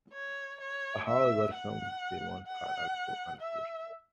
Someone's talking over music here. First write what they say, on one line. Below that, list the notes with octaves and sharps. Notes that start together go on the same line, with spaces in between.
However, some seamounts are also unusual.
C#5
C#5
E5
F#5
F#5
E5